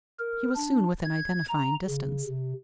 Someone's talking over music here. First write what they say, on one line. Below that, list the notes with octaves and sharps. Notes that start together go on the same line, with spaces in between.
He was soon within identifying distance.
A#4
D4
G#6
A#5
C#3
C3